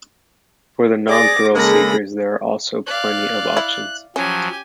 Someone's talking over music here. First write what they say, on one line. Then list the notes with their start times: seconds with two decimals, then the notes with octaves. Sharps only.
For the non-thrill-seekers there are also plenty of options.
1.09 G#4 D5 D6 A#6
1.54 C#3 G#3 A#3 A4 B5 A#6
2.86 D5 F5 F#6
3.57 E4
4.16 F3 F#3 C#4 G4 G#5